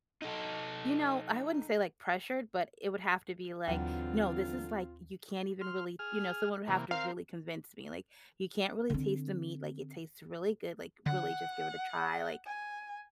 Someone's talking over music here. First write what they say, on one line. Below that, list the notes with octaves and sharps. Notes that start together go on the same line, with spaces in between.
you know, I wouldn't say, like, pressured, but it would have to be, like, "No, this is, like, you can't even really," you know? Someone would have to really convince me, like, "You can't really taste the meat," like, "it tastes really good," like, "really, just give it a try," like,
D#4 A4
D#2 D3 E3 F#3 C4 F4
C6 F6
G#4 F6
C3 E3 A#3
C4 A#4 F5
D3 C4
D3 F#5
G#5